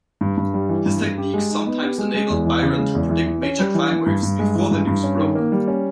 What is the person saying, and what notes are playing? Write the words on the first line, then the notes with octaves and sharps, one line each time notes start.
His techniques sometimes enabled Byron to predict major crime waves before the news broke.
G2
G2
G3
E3
G2
G2
G4
G#3
D#4
B3
G4
G#3
G#3
E2
E3
C#3
G#3
E2
E3
E3
C#4
G3
E3
E3
G2
G2
G#3
E3
G2
G2
C#4
D#3
A#3
G3
C#4